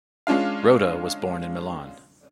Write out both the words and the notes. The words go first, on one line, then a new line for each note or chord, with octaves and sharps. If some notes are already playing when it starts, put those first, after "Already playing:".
Rota was born in Milan.
G#3 C#4 D4 F4 F5